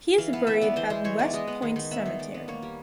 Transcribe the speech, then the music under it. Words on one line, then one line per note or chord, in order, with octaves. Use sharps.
He is buried at West Point Cemetery.
E3 F5
B3 F5
E3 E5
B3 D5
E3 C5
G#3 C5
E3 C#5
B3 D5
G#3 D#5
B3
D#3
D#3
B3 E5
D#3
G#3 D5
B3
A#3 C#5
G3